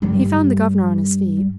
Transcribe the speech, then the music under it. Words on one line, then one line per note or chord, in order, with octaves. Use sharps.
He found the governor on his feet.
G2 G3